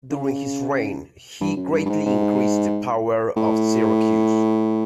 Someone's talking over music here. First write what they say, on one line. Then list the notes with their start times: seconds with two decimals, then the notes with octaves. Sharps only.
During his reign, he greatly increased the power of Syracuse.
0.10 C#3
1.41 G2
1.57 F#2
1.73 G2
1.86 G2
1.90 G#2
2.06 G#2
3.36 A2